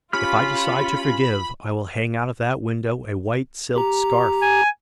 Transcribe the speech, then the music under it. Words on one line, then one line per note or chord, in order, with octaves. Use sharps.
If I decide to forgive I will hang out of that window a white silk scarf.
C#4 F4 G4 B5 F6
G4 A#5
G#5